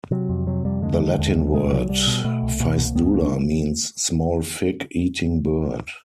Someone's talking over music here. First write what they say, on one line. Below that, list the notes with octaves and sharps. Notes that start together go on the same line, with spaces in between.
The Latin word "ficedula" means "small fig-eating bird".
C3 F#3
F2
C3 F#3
F2 G3
D3 G#3
D3
D#2
D#2
B2 G#3
C2 F#3
C2 G3
B2
B2 A3
C2
B2 A#3
C2
C#2 B3
C#2 A#3
D4